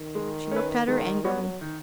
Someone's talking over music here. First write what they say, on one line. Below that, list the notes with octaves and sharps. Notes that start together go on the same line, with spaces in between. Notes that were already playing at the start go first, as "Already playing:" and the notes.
She looked at her angrily.
Already playing: D#3
G#3
C#4 B4
D#3 G#3
F#3 B3 F#4 C#5
D#3